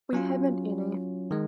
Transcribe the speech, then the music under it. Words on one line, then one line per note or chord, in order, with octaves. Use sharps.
We haven’t any.
F#3 C#4 F4
D#3 G#3